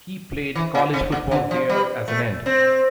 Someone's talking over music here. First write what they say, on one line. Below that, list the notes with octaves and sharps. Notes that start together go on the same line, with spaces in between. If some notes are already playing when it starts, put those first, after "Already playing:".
He played college football there as an end.
E3
A#2
C3
A#2
D3
F3
G3
A3
C4